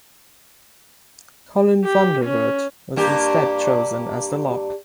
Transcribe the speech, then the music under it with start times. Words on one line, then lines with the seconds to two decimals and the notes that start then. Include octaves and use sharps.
Colin van der Voort was instead chosen as the lock.
1.84 G4
2.25 C#4
2.96 G2 A#3 G4